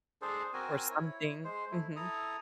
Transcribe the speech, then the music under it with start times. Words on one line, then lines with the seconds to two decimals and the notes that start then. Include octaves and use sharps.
or something. Mhm.
0.22 D4 G#4 A4 C5
0.53 C4 F#4 A#4 G#5
0.90 E4 C#5
1.44 G#3 C5
1.71 A3 E4
1.96 E4 A4 A#5 D#6